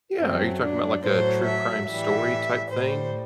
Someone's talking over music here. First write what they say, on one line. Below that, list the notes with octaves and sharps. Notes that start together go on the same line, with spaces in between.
Yeah, are you talking about like a true crime story type thing?
F#2 F#3 A3 C4
D4
A2 F#3 A3 C5
E5
A2 E3 G3 E5
A2 G3 C5